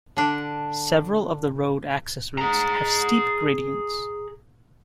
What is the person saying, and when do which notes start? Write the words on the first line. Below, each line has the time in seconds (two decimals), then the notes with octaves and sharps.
Several of the road access routes have steep gradients.
0.17 D3 D4
2.38 G#4 A#5